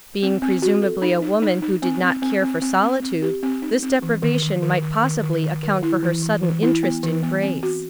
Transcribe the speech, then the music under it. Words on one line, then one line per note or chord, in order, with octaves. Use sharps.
Being presumably a woman who did not care for solitude, this deprivation might possibly account for her sudden interest in Grace.
C4
C4
F#4
A4
D#4
D#4
D#4
D#4
C4
C4
C4
C4
C4
C4
C4
G4
C4
D#4
C4
E3
D#3
D#3
D#3
D#3
D#3
D#3
D#3
D#3
E4
E3
E3
E3
E4
B3
E3
B3
C4
F#4